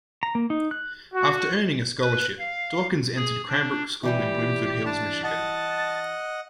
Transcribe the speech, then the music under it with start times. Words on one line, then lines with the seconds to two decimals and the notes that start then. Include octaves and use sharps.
After earning a scholarship, Dawkins entered Cranbrook School in Bloomfield Hills, Michigan.
0.23 A#5
0.35 A#3
0.50 D#4
0.71 F#6
1.14 F#4
2.01 B4
2.39 F5
3.16 G#4
3.48 D4
4.03 E3 G3 E4 G4
4.85 D4 A5
5.24 D#5 F#5 A5